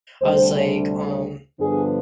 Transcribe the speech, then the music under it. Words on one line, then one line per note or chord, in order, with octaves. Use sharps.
I was, like, um,
D2 C3 G3 D4 C5
G2 D3 F3 B3 D4 G#4